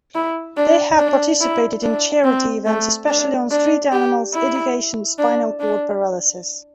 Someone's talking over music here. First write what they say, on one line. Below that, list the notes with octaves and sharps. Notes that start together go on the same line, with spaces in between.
They have participated in charity events especially on street animals, education, spinal cord paralysis.
E4
D4
D4
E4
D4
C4
A3
D4
D4
G4
E4
D4
D4